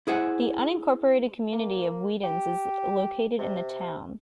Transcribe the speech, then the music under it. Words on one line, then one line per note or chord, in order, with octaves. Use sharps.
The unincorporated community of Weedens is located in the town.
E4 G#4 C5 F#5
A#3
G4
C3